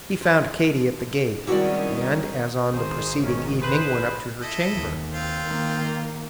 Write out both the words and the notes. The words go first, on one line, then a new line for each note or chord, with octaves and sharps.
He found Kitty at the gate, and, as on the preceding evening, went up to her chamber.
F3
C2 D#3 G#3 C#4 E4 F#4 G4 D5
G#1 D#3 G#4 C5
C#4
G#4 B4 C5
E4 A4 D#5
D#2
C4 F4 C5
D#3 A#3